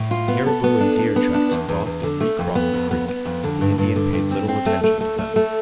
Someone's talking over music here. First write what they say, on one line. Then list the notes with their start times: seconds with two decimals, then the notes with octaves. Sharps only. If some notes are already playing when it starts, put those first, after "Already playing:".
Caribou and deer tracks crossed and recrossed the creek, but the Indian paid little attention to them.
Already playing: A2
0.11 F4
0.28 B3
0.46 A4
0.63 B3
0.81 D4
0.99 D4
1.16 B3
1.34 D4
1.51 E2
1.68 E2
1.86 E2
2.03 D3
2.20 A3
2.39 F2
2.55 B3
2.73 F2
2.91 B3
3.08 B3
3.25 F2
3.43 D3
3.61 G2
3.78 G2
3.96 D3
4.13 G2
4.31 C4
4.48 C4
4.66 A3
4.83 A3
5.01 A3
5.18 A3
5.36 A3